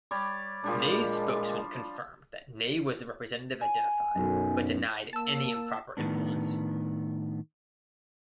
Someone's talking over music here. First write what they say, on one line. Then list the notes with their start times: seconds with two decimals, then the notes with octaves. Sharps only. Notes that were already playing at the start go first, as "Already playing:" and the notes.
Ney's spokesman confirmed that Ney was the representative identified, but denied any improper influence.
0.11 G3 C#5 D5
0.64 A#2 F3 G3 G#3 D4
3.61 G#5
4.16 B1 F#2
5.13 A#3 A5 E6
5.97 A2 D#3 B3 D4